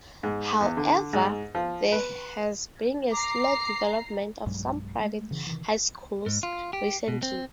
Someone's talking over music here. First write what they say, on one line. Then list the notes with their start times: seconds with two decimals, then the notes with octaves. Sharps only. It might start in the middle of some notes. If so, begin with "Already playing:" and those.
However, there has been a slow development of some private high schools recently.
0.23 G#2
0.61 E2
0.77 D3
1.13 G#2
1.55 F3
1.92 B4
3.12 A#5 D6 C7
4.46 B1 G2 F#3 G#3
5.00 G#3 A3
5.31 C#3 E3
5.47 C3 D#3 E3
6.26 G#2
6.43 F4
6.73 G4
7.08 B2
7.23 C4